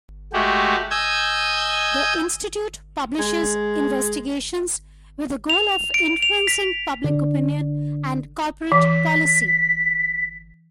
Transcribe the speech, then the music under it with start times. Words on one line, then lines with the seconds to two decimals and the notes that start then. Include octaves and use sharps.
The Institute publishes investigations with the goal of influencing public opinion and corporate policy.
0.33 G#3 A3 F#4 G4
0.91 D#5 G#5 E6 G6 G#6
3.19 G#3
5.50 F7
5.94 D7
6.22 F7
6.47 B6
7.04 D3
8.72 E3 B6